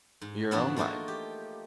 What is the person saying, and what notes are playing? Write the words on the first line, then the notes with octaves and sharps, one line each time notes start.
your own mind?
G#2
E3 F3 B3 D4 E4 F#4
A3 A#3 D#4 F4 F#4
G4